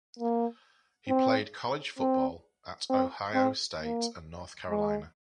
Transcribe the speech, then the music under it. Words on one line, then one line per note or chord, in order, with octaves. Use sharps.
He played college football at Ohio State and North Carolina.
A#3
C4
C4
C4
C4
A#3
G#3